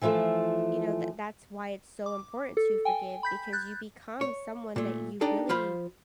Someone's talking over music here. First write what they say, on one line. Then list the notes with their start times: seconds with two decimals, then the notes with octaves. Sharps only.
you know, th that's why it's so important to forgive, because you become someone that you really,
0.01 E3 F3 A3 F4 A4
2.06 D6
2.57 A4
2.85 G5 G#5
3.23 B5 G6 B6
3.53 F#6 G6 A6
4.21 C#5
4.76 A#2 A3
5.21 D4 D#4 G4 A4 D5
5.49 F3 F4 C5 B5